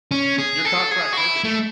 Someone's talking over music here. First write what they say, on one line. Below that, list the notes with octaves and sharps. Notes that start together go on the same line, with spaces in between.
your contract's ended.
C#4
G#4
A4
G#4
F#4
E4
A3